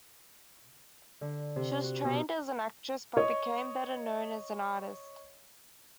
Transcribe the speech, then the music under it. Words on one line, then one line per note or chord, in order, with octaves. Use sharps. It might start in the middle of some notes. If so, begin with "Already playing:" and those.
She was trained as an actress, but became better known as an artist.
D3
C3
F#4
B2
C#5 D#5